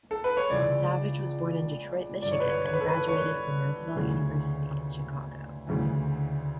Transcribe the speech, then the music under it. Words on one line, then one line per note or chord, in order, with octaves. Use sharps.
Savage was born in Detroit, Michigan, and graduated from Roosevelt University in Chicago.
A4
B4
C#5
C#2 C#3 E3 D5
G2 D3 D5
C#5
B4
C#5
C#5
B4
A4
B4
C#5
D2 C#3 E3
D2 C#3 E3